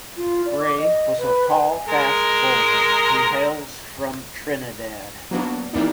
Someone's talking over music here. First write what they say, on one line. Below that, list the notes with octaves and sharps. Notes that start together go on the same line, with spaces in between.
Gray was a tall fast bowler who hails from Trinidad.
F4
D5
D6
D#5
B4
G#5
G#3 A#4
F#3 A#3 B3 D4
E3 G3 A#3 B3 D4 D#4